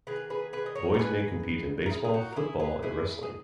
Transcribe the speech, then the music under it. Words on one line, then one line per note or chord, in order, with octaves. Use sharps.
Boys may compete in baseball, football, and wrestling.
D#3 A#3 G#4 B4
G#4 B4
G#4 B4
D#5
A#4 C#5
A#4
G#4 B4
A#4
E4 G#4
G#4
D#4 F#4
A#4
E4 G#4
G#4 B4
E4 G#4
G#4